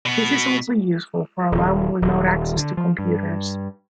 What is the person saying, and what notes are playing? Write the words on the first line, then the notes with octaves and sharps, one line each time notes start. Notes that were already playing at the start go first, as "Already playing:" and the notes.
This is also useful for allowing remote access to computers.
B2 B3
D#1
D#1
D3
F3
G2